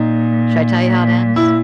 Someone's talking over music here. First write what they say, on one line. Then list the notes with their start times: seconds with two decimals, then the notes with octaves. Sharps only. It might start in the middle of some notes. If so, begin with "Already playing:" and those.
should I tell you how it ends?
Already playing: A#2 D#4
1.36 E4